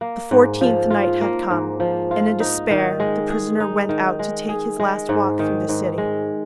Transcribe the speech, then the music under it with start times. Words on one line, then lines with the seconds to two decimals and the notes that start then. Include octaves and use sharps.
The fourteenth night had come, and in despair the prisoner went out to take his last walk through the city.
0.01 A#3
0.31 G#2
0.61 F3
0.90 F4
1.21 A#3
1.51 G#2
1.80 F3
2.11 F4
2.40 D#4
2.71 D#3
3.00 G#3
3.30 G#4
3.60 D#4
3.89 D#3
4.19 G#3
4.49 G#4
4.80 G#3
5.09 G#2
5.39 D#3
5.69 G#2
5.98 G#3